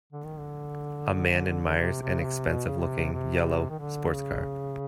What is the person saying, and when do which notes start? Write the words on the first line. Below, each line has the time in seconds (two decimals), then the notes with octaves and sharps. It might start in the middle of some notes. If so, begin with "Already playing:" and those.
A man admires an expensive looking, yellow, sports car.
0.12 D3
0.25 D#3
0.38 D3
1.79 C3
2.01 C3
2.19 C#3
2.24 C3
2.46 B2
2.68 C#3
2.80 C3
3.13 C3
3.69 D#3
3.79 D3
4.13 C#3